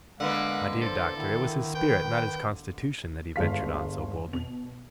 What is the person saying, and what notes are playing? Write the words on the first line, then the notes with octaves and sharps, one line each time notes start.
My dear Doctor, it was his spirit, not his constitution, that he ventured on so boldly.
D3 G#3 A#3 B3 F5 F#5
A4 C5
D#3 E4
B4 G5
G1 G#3 F5 B6
B2 F7